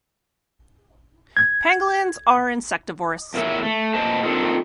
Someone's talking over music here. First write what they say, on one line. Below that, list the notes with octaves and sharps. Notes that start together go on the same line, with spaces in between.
Pangolins are insectivorous.
G#6
E2 E3 A#4 C#5 E5
A3
A#2 B4 C5 D#5 A5
C4 D4 D#4 F4 A4 A#4